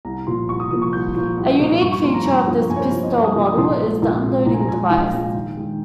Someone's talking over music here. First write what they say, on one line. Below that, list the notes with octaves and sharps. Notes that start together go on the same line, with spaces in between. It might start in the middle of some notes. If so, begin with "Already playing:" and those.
A unique feature of this pistol model is the unloading device.
C2 A#5
A#2 F3 A#3 C6
C2 C#6
D#6
A#2 F3 A#3 D#6
C#6
C2 G6
A#2 F3 A#3
C2
A#2 F3 A#3
G2 C#6
C#6
F3 A#3 C6
A#5
G2 A#5
F3 A#3
G2 G#5
C#5
C5
F3 A#3 C#5
D#5
G2
D#6
F3 A#3
D#6
A#1 C6
A#2 G#3
A#1
A#2 G#3
A#1 A#5
G#5
A#5
A#2 G#3 G#5
F5
A#1 G5
A#2 G#3
D#2
D#3 G#3